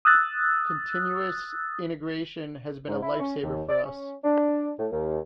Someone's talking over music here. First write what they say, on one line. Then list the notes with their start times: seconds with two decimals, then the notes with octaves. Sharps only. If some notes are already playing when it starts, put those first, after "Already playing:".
Continuous Integration has been a lifesaver for us.
0.05 D#6 E6 F#6 A6
2.88 G#2
3.03 E4
3.20 C#4
3.43 D#2
3.69 D5
3.84 C#4
4.24 D4
4.79 A2
4.92 D#2